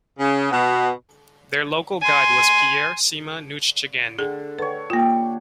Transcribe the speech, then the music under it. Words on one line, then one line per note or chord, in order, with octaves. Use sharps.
Their local guide was Pierre Sima Noutchegeni.
C#3
B2
G#5 C6
D3 G#4
D3 B4 C#5
A#3 F4 G4